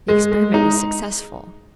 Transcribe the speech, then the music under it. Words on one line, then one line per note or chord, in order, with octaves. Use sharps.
The experiment was successful.
G#3
G#3
D#4